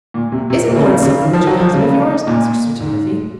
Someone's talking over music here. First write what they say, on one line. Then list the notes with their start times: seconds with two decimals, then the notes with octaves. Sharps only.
"Isn't Lord Silverbridge a cousin of yours?" asked Sir Timothy.
0.14 A#2
0.32 C3
0.50 C3
0.68 A#2
0.76 C#3
0.85 C3
1.03 C#3
1.20 D#3
1.33 F3
1.47 F#3
1.60 F3
1.74 C#3
2.27 A#2
2.80 G#2